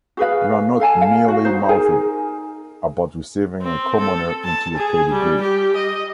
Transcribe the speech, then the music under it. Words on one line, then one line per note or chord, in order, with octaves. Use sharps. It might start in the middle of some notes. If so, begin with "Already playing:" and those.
You are not mealy-mouthed about receiving a commoner into your pedigree.
F#4 G#4 B4 F5
A4 F5 G#5 A5
F5
F#4
D#4 C5
D#4 G#4 A#4 G#5
C4
A4
A5
G#4
G3
G4
D#5